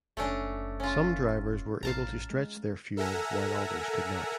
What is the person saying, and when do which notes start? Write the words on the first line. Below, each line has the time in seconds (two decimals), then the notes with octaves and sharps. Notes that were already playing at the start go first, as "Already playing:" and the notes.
Some drivers were able to stretch their fuel while others could not.
0.17 F#1 A3 C#4 D4
0.80 C#4 F4
1.83 A1 F5 A5 A#5
2.31 G#3
2.97 A4 A#4 E5 F#5 G#5 A#5